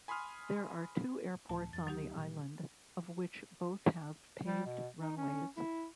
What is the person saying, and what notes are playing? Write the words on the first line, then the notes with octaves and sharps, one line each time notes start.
There are two airports on the island, of which both have paved runways.
G#5 B5 C6 D#6 F6
C#2 A2 E3 A5
F2 A6
D2 F#3 D#4 G4
A#2 D3 G3
G3
B2
D#4
C#4
E4